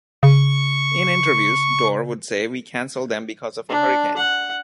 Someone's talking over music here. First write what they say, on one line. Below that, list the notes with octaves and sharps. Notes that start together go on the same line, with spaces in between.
In interviews, Dorr would say we canceled them because of a hurricane.
C#3 C#6
D4
F#5